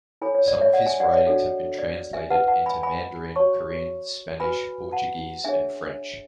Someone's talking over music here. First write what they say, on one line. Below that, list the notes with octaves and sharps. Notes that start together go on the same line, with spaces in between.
Some of his writings have been translated into Mandarin, Korean, Spanish, Portuguese and French.
E4 A4 C#5 G#5 B5
C#5
D5
C#5 E5
D5 F#5
E5 G#5
D5 F#5
C#5 E5
D4 F#4 A4 C#5
D5
E5 G#5
E4 B4 F#5 A5
F#5 A5
G#5 B5
G#5 B5
F#4 C#5 A5 C#6
F#4 B4 G#5 B5
F#5 A5
D4 G#4 C#5 E5 G#5